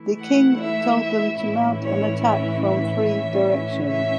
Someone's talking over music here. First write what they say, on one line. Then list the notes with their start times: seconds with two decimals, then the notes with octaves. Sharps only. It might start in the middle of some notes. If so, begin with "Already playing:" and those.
The king told them to mount an attack from three directions.
Already playing: E3 A3 E4
0.20 F#5
0.60 E5
1.02 E5
1.42 A2 E3 C#4 E4
1.83 C#5
2.23 E5
2.64 E5
3.05 A2 E3 C#4
3.86 E5